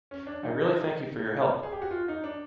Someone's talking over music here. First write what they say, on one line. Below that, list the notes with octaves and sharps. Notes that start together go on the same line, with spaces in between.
I really thank you for your help.
C#4
D4
D#4
G#4
G4
F#4
F4
D#4
D4